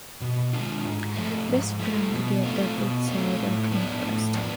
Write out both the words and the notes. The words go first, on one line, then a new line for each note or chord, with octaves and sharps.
Best plan to get the books out of him first.
B2
G#3 D4 F4
G#2
F3 A3
G#2
F3 A3
B2
A3 C4 F4
B2
A3 C4 F4
A2
F3 B3 D4
A2
F3 B3 D4